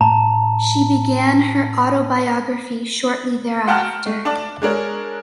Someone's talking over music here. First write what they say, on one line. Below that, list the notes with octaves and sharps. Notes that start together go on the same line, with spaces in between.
She began her autobiography shortly thereafter.
A2 A5 A#5
F#5 G5 A5 A#5 F6 F#6
A3
D4 A5 D6
G#3 D4 A#4 C#5